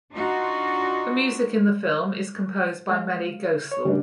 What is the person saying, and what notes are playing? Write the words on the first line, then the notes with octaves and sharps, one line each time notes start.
The music in the film is composed by Melly Goeslaw.
D4 D#4 F4 F#4
G#3 F5
C#5
C#3 G3 D4